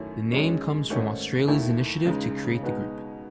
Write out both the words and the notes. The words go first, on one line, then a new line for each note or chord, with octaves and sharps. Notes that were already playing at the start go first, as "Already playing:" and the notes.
The name comes from Australia's initiative to create the group.
Already playing: F#2 D#3 A3 C#4 E4
F#2 D#3 G#3 C#4
G#2 D#3 A3 C#4
D#2 D#3 A3 E4
C#2 C#3 G#3 D#4
B2 G#3 B3 D#4